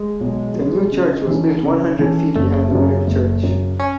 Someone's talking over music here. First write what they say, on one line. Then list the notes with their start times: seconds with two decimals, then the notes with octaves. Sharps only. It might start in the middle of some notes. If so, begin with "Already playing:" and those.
The new church was built one hundred feet behind the wooden church.
Already playing: G#3
0.21 B1
0.56 B2 F#3
0.92 C#3
1.27 E3 A3 C#4 E4
1.63 C#3
1.99 E3 A3 C#4 E4
2.36 F#1 A3
2.71 F#2 C#3
3.07 F#1
3.43 F#2 C#3
3.79 C#4